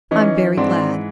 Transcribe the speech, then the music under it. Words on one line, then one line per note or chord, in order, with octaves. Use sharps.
"I'm very glad."
E3 C#4 D#4
G#2 C4 D4